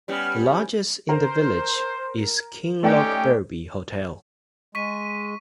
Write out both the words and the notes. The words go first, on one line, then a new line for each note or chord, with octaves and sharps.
The largest in the village is Kinlochbervie Hotel.
G3 B3 C#4
A#4 C5
A3 C#4 D#4 G4 D5 G5
G#3 C#6 B6 D#7